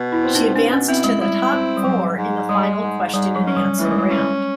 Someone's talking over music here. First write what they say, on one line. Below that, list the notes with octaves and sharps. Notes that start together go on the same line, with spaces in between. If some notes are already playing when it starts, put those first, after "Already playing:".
She advanced to the top four in the final question and answer round.
Already playing: B2
E4
C4
D#4
B2 D4
C#4
C4 E4
G#3
G3 E4
C4
G3
G#2 F#3
G#2
G3 G#3
G#2
G#2 G3
F#3
C#4
G3
E3 A3
G#3
G3
G#3
C#4